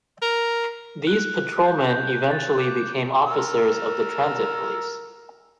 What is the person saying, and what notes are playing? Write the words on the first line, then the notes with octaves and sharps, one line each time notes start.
These patrolmen eventually became officers of the Transit Police.
A#4
F#6
G6
G6
A6
D6
A#4 E6